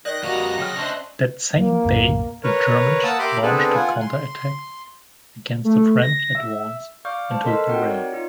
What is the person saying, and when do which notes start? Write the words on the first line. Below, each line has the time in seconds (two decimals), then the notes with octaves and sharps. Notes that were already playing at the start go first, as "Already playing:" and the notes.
That same day the Germans launched a counter-attack against the French advance into Lorraine.
0.05 D#3 D5 D#5 F#6 A#6
0.23 F2 G3 A#3 F#4 A#5
0.58 C#3 F#3 G5 F6
0.76 C#4 D4 C5 E5
1.56 E3 A#3
1.85 B1 F#2 A2
2.44 A#4 B4 C#5
3.04 A#3 F#5 A5 D#6 E6
3.19 G4 A#4 E5 B5 C6 D6
3.43 B3 C4 D4 G#4 A4 B4
3.74 F4 F#5 G#5
4.01 C6
5.64 A3
6.02 A#6
6.35 E5
7.05 D5 F5 C#6 D6 F6 G6
7.31 C5 A5
7.44 A4 A#4 D#5 C6 B6
7.67 C4 D#4 F#4 A#4 F#5 G5
7.86 C#5 D5
8.13 D#4 F4